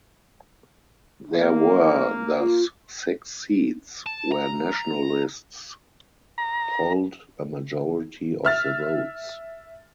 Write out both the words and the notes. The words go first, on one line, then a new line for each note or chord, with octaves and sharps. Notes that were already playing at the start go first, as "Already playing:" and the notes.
There were thus six seats where nationalists polled a majority of the votes.
A#3
F4
A5
A#5
A#5
E5 F6 A6